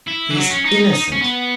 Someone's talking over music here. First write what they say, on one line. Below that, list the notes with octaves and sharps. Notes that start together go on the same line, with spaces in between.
"He is innocent."
E4
E3
F#3
C#4
D#4
D#4
D#4
C#4
B3